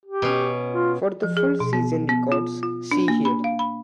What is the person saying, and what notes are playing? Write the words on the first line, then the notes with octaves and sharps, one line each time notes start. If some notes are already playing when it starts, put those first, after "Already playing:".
For the full season records, see here.
G4
B2 C#4
F4
F3
G#4
B2
B3
B3
F4
F4
D4
A#3
B5
F5
B5